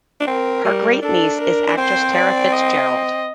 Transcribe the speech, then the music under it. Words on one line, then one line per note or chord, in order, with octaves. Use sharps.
Her great-niece is actress Tara Fitzgerald.
D4
C4 A#4
G3
D4 A4
A#4
D4
C4 C5
D5
D#5